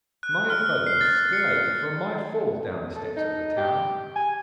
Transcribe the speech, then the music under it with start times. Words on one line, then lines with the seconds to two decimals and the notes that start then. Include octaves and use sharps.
My bones still ache from my fall down the steps of the tower.
0.23 F#6
0.50 F6
0.87 C7
1.01 A6
1.33 C#7
2.96 A4
3.16 D#4
3.57 G4
4.16 G#5